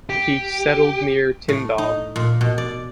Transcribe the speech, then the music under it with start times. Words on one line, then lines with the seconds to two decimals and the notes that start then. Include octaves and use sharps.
He settled near Tyndall.
0.10 G4
1.48 A2
1.78 D#4
2.16 A#2
2.41 B2
2.58 D5